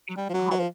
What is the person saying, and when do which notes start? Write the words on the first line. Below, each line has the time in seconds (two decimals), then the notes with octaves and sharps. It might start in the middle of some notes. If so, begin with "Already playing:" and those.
it had a
0.17 G3
0.29 F3
0.34 F#3
0.51 F#3
0.59 F3